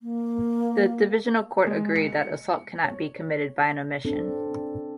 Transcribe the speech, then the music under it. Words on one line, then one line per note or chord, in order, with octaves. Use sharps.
The Divisional Court agreed that assault cannot be committed by an omission.
A#3
G#3
C#7
C#5
C4 D4 A4